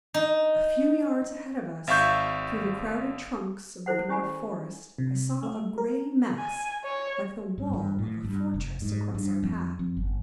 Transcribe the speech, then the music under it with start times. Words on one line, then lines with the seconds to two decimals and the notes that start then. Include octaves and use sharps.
A few yards ahead of us, through the crowded trunks of the dwarf forest, I saw a gray mass, like the wall of a fortress, across our path.
0.14 D#4
1.87 G#1 E5 F5 C#6 G6
3.86 E4 A4 C5 F#5
4.09 C#4 G4 G#5 B5
4.98 C3
5.43 A3
5.78 A#4
6.39 G#5
6.84 C#5
7.58 G2
7.73 G2
7.99 A2
8.24 G2
8.54 F1
8.82 G#2
9.15 G2
9.43 F2
9.79 F2
9.97 G1